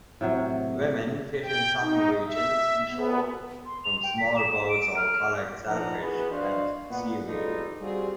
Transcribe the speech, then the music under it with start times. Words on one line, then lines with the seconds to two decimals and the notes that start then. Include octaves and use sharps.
Women fish in some regions inshore from small boats or collect shellfish and seaweed.
0.21 A2 C3 F#3
1.43 G5
1.82 D#4
2.27 E5
2.89 B3
3.66 C6
3.84 F7
4.03 G5
4.18 B6
4.37 E7
4.69 D7
4.97 F6
5.67 F3 D4 D#4 B4 F#5 A#5
6.00 E3 B3 F#4 G#4 B4
6.31 D4 F#4 C5 D5 D#5 F5
6.90 A#2 B3 F#5
7.27 F#1 G3 D#4 F4 A4
7.81 G3 C4 F4 F#4 G#4